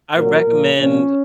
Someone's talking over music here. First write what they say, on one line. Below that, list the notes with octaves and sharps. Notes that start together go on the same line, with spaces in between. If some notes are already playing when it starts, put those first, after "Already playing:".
I recommend,
A#2 F#3 A#4
A#2 F3
A#2 F3 C#4